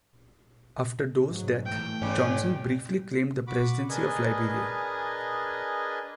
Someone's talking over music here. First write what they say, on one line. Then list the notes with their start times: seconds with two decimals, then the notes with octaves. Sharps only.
After Doe's death Johnson briefly claimed the presidency of Liberia.
1.30 G#2 F#3
1.66 A2 E3 A3 G5
2.02 E2 G#2 C#4
3.47 F#4 B5 D6
3.90 D4 G#4 A#4 B4 D#5 G#5